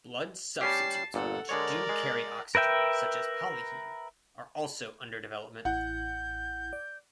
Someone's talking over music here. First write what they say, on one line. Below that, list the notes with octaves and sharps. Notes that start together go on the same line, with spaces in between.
Blood substitutes which do carry oxygen, such as PolyHeme, are also under development.
G3 C#4 G4 A5 C7
G1 A#2 A4 F#5
D3 G#3 A#4 C#5 D5
G#3
A#4 B4 E5 G5
A1 E4 F#5 G6
D5